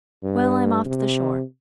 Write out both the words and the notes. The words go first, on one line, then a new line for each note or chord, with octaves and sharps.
Well, I'm off to the shore.
G2
C3